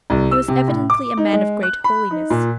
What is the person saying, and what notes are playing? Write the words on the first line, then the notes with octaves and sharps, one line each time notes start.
He was evidently a man of great holiness.
C2
E6
C3
A2
D6
D#4
G#3
F#6
B5
D#4
A#2